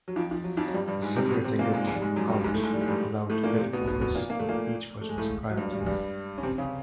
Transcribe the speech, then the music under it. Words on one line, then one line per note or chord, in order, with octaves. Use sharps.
So separating it out allowed better focus on each budget's priorities.
F#3
F2 F3
F3
F#3
F2 F3
F#3
G2 G3
G2 G3
G#2 G#3
C3 C4
B2 B3
C3 C4
A#2 A#3
G#2 G#3
G#2 G#3
G3
G#2 G#3
F#2 F#3
G2 G3
G#2 G#3
A2 A3
G#2 G#3
G3
G#3
G2 G3
A2 A3
A#2 A#3
C3 C4
B2 B3
B2 B3
B2 B3
A#2 A#3
A#3
A3
A#2 A#3
A3
G#3
A2 A3
F#3
G2 G3
G2 G3
G#3
G2 G3
C#4
C3 C4
C#3 C#4